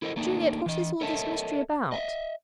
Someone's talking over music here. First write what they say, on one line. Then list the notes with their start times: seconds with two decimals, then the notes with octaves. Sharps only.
Juliet, what is all this mystery about?
0.02 E4 A4 A#4 C5 C#5 D#5
0.16 A3 A#3 D4 D#4
0.66 E3 D#5
1.01 A4 A#4 C#5 D#5 E5 A5
1.92 D#5 E5